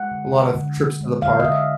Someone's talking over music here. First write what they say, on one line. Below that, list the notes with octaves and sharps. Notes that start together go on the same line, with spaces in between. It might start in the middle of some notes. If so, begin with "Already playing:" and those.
A lot of trips to the park.
Already playing: G#3 F#5
D3
D3
D3
D3
G#3
D3 F5
D#5
D3 E5